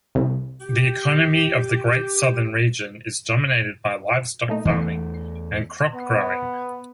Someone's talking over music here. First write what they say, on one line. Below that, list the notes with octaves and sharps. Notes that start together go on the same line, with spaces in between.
The economy of the Great Southern Region is dominated by livestock farming and crop-growing.
C2
G4
A#2 A3 D#4
E2 E3 A3
B3